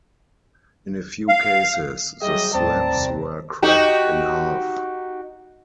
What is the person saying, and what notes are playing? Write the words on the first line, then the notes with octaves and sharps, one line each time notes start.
In a few cases the slabs were cracked in half.
F5
F#3 G3 G#4 D#5 E5 G5
D#2 A2 C4 D5 A5 A#5
C2 F2
D#4 F#4 G4